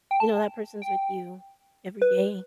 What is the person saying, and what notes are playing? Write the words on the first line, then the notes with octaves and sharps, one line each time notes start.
you know, that person's with you every day
G5
A5
G5
B4